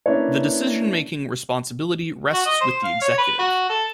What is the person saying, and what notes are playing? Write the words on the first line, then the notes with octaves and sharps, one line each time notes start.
The decision-making responsibility rests with the executive.
A#3 C#4 D4 E4 B4 C#5
F#4
D#5
C5
F5
C#5
B4
F#4
A4